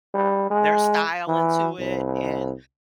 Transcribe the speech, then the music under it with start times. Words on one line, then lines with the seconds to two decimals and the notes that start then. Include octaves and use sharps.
their style into it, and,
0.14 G3
0.51 G#3
1.28 E3
1.80 C2